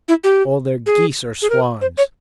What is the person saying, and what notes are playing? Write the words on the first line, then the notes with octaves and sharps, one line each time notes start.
All their geese are swans.
E4
G4
G#4
G#4
A#4
C5
C#5